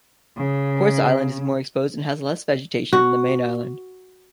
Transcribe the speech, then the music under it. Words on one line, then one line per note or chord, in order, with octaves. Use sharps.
Quartz Island is more exposed and has less vegetation than the main island.
C#3
F#4